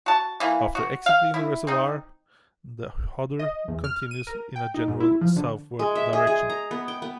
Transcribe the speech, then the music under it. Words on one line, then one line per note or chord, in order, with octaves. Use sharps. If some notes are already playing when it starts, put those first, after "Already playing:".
After exiting the reservoir, the Hodder continues in a general southward direction.
F#4 A5
E3 A#3
F#4
F5
E4
C4 D#4
D#5
E2
F6
D#7
A#4
G5
D#4
G#2
E4
F3
D3
G#3
E5
G#4
G#4
A#5
B3
G5
B3